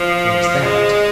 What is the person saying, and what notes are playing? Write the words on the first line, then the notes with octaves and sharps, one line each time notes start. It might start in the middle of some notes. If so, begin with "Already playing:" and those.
"Where's that?"
Already playing: F3
G#3